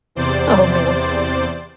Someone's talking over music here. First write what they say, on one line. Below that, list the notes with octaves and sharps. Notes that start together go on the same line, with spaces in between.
Oh, man.
E2 C3 C5 D5 A6